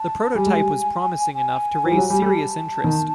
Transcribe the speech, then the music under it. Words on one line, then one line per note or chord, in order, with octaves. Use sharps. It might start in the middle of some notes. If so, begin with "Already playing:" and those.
The prototype was promising enough to raise serious interest.
Already playing: A5
G3 G#5
G#3
G3
G#5
F3
G3
F#3
G3
G3
A5
D#3